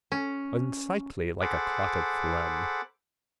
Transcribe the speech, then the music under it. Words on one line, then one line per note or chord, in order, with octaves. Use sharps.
Unsightly like a clot of phlegm.
C#4
G#4 A4 C5 F#5 B5 D6